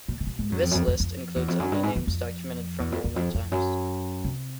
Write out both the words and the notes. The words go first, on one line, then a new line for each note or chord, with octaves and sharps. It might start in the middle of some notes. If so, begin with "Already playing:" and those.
This list includes only names documented from Roman times.
A#2
C3
B2
G#2
F#2
F2
F#2
F2
F2
F2
E2
F2
F#2
G2
G#2
F2
F2
E2
F2
E2
F2
F2
F#2
C3